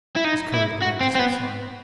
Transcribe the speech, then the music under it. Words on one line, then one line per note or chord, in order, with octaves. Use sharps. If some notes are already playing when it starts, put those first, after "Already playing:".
His courage began to subside.
E4
D#4
E4
F#4
C4
C4
B3